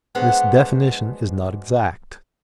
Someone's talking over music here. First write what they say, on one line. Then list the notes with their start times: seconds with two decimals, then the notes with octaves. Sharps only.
'This definition is not exact.
0.15 F#3 G#3 B3 D4 C5 F#5